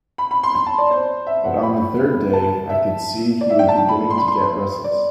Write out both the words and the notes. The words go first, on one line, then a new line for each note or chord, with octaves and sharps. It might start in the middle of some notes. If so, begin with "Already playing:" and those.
But on the third day I could see he was beginning to get restless.
B5
B5
C6
B5
A5
D5
C5
E5
F#5
B5
A5
E5
D5
E5
G5
A5
B5
C6
B5
C6
D5